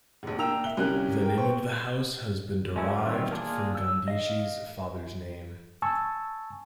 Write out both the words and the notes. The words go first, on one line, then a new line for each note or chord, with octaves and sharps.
The name of the house has been derived from Gandhiji's father's name.
F1 A#1
A#3 D4 G5 A#5 E6 F7
E5 G7
C2 D3 C#4 G4 A#4 F#6
A#4 G5
B4 C5 G5 C#6
G#3 A3 C#4 E4
D#3 E3 G3 C4 F4
A#3 D4 F4 G#4
E6
D#5 F5
G#5 A5 C#6 E6